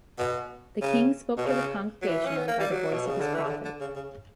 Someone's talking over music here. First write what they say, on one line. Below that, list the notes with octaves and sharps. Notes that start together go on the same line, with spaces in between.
The king spoke to the congregation by the voice of his prophet.
B2
C#3
B2
C#3
F#3
E3
C#4
B3
A#3
G3
F#3
B2
C#3
D3
E3
C#3
D3
D3
C#3
C#3